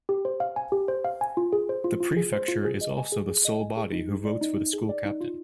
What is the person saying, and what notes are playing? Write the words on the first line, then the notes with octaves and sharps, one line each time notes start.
The Prefecture is also the sole body who votes for the School Captain.
G4
C5
F5
G#5
G4
C5
F5
G#5
F4
G#4
C5
F4
F4
G#4
C5
F4
G#4
D#5
G#5
G#4
G#4
D#5
G#5
G#4
D#4
G#4
D5
D#4
D#4
G#4
D5
D#4
F4